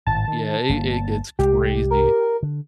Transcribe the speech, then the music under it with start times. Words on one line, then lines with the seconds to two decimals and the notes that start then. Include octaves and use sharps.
Yeah, it it gets crazy.
0.07 G#1 A2 A5
0.28 D#3
0.69 G1 A#3
1.39 C2 G#3 G4
1.91 A#4
2.43 D3